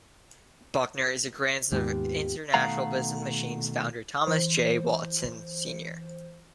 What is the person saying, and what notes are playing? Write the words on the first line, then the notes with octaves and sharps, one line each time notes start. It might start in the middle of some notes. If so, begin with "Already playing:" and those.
Buckner is a grandson of International Business Machines founder Thomas J. Watson, Sr..
D#2 G#2 B3 F4 G4
B2 D#3 A3 F5 F#5 A#5
E3 C5